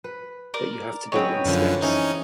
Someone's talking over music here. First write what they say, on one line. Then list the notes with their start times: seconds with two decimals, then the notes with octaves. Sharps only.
But you have to do it in steps.
0.04 B4
0.54 A#4 D5
1.12 C#3 F#3 G#3 C4 B4 C#5
1.46 F#2 D3 F3
1.82 E3 C#4 D#4